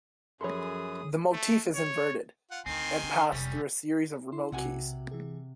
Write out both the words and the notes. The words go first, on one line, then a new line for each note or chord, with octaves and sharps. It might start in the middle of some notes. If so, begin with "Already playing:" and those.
The motif is inverted, and passed through a series of remote keys.
F#2 F3 G#4 A4 C#5 B5 C6 D#6
A3
C#5
F4 F#5
D2 D#3 C4 G#5 C6
D3
F1 G3 C#4
E4 C6
B1 C3 F#4 F#5 G#5
E3 G#4